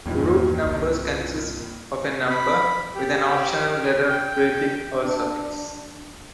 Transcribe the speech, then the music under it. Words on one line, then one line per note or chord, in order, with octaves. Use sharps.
Route numbers consist of a number, with an optional letter prefix or suffix.
E2 G2 A#2 D#3
C2
B5
G4
G5
D4